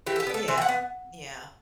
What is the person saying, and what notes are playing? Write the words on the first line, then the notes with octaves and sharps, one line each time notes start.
Yeah, yeah.
E3 G4
A4
G4
B3 D4
A4
E3 C5
G5
F#5
B3